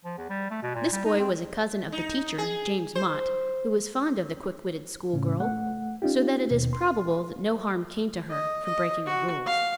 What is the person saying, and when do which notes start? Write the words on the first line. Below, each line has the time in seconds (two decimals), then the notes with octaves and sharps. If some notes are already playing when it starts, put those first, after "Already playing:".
This boy was a cousin of the teacher, James Mott, who was fond of the quick-witted school-girl, so that it is probable that no harm came to her from breaking the rules.
0.05 F3
0.18 E2
0.30 G3
0.51 A3
0.62 B2
0.75 A#2
0.92 G3
1.05 D#4
1.19 C4
1.92 D#4
2.38 G#4
2.95 C5
5.13 A2 C#3 C#4
5.40 A3 F#5
6.02 C#4 D#4 F4 G4
6.51 D#2 B2
6.73 C6
8.31 D#5
8.66 D#5
9.06 F#4
9.46 F5